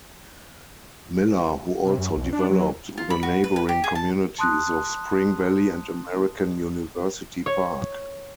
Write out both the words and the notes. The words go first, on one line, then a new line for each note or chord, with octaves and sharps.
Miller, who also developed the neighboring communities of Spring Valley and American University Park.
C3
F#2
B1
D4
F#3
F4
B5
F#4
B4
B4
G4
G#4
A5
A5 C6 D#6 F#6
C#5